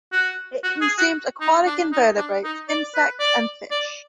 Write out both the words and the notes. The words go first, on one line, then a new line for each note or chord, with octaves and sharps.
It consumes aquatic invertebrates, insects, and fish.
F#4
F#4
G#4
F#4
D#4
D4
D#4
D4
D#4
D5
B4
D5
D5